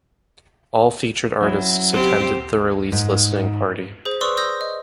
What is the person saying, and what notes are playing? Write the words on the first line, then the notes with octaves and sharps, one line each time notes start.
All featured artists attended the release listening party.
F#2 F#3 E4
C4 G4
G#2
G#4 C5
B4 D5 C6 C#6 D#6 E6
D#6 E6 G6 A#6
D#5